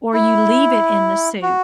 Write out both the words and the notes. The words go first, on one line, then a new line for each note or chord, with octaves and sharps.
or you leave it in the soup
E4
F#4